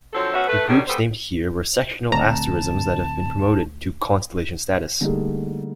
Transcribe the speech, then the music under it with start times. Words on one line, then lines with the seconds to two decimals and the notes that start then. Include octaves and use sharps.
The groups named here were 'sectional asterisms' that have been promoted to constellation status.
0.13 D3 F3 F#3 C4 A4
0.34 F3 B3 C#4 F#4 E5
0.48 A3 B4
0.68 B2 D#3 G3 C#4 D4 G#4
0.87 C#3 G3 B3 A4 B4 C5
2.12 D1 D2 D3 C4 A5 A#5
5.01 D3 G3 A3 A#3 D#4 G#4